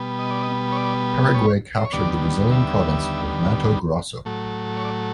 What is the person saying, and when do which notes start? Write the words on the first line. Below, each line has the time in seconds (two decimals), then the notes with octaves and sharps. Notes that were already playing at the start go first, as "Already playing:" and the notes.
Paraguay captured the Brazilian province of Mato Grosso.
Already playing: B2 G3 B3
0.19 D#5
0.30 D5
0.42 D#5
0.72 C#5
0.76 D5
1.34 C#5
1.77 C5
1.85 C#5
1.92 D#2 D3 G3 B3 D5
2.51 E5
4.25 A2 F#3 A3
4.77 C#5
4.84 D5